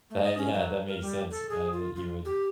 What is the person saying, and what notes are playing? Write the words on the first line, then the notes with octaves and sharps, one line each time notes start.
that yeah, that makes sense, uh, that you would
A3
D#5
C#4
F#3
A#4
G3
A4
G#4
F4
F4
G4